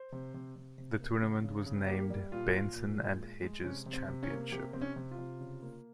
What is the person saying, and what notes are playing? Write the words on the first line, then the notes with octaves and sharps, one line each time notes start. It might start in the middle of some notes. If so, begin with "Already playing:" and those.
The tournament was named Benson and Hedges Championship.
Already playing: C5
C3
C3
C3
C3
A#3
C#3
C#3
C#3
A#3 G4
G3
A#2 F4
A#2
A#2
G#3
G#3
G#3
C3 C#4
C3
C4
C3
C#4
A#3
C3 G4
C3 C4
C#4
C3
F4
C3
C#3
A#3